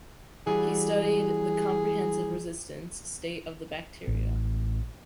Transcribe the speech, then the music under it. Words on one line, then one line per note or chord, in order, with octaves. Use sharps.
He studied the comprehensive resistant state of the bacteria.
E3 G3 F#4 G#4
A1